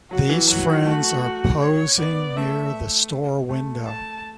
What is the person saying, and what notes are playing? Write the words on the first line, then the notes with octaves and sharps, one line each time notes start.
These friends are posing near the store window.
F#3 F#4
E3
F#3 F#4
A3 F#4
C#5
B3 D5
A3 E5
A3
A5